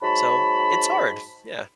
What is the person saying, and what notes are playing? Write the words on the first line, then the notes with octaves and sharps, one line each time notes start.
So, it's hard! Yeah.
G#2 F#3 A5 B5